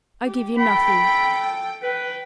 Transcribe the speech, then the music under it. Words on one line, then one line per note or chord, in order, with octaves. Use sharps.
I give you nothing.
G4
A4 G5 B5
B4 G5